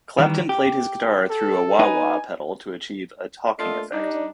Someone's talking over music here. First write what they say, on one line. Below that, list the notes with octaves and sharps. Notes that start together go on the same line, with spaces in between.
Clapton played his guitar through a wah-wah pedal to achieve a "talking-effect".
D#3 E3 G3
G4
A4
D#4 B4 G#5
A3 A#3 D4 F4 A4 D#5
G3 D4 D#4